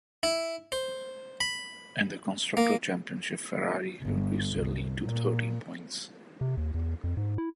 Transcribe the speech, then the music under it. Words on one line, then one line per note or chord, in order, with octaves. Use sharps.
In the Constructors' Championship, Ferrari increased their lead to thirteen points.
E4
C5
B5
A#3
G1
C2
A#2
C3
D#2
E2
F2
G#2
E4